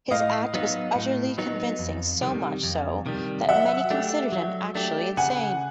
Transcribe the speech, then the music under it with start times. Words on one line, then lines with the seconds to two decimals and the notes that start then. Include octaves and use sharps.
His act was utterly convincing, so much so that many considered him actually insane.
0.11 A2 D#5 F5
0.54 F#3 B3 D#4
0.95 A2
1.38 F#3 B3 D#4
1.79 F2
2.22 C3 D#3 G3
2.64 F2
3.06 C3 D#3 G3
3.49 F#3 E5 F#5
3.91 A3 D4 G4
4.32 F#3
4.75 A3 D4 G4
5.17 C#3 F#5 G#5